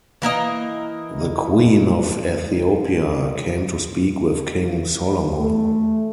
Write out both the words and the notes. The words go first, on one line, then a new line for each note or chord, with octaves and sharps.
The queen of Ethiopia came to speak with King Solomon.
E3 A#3 A#4 D#5
A3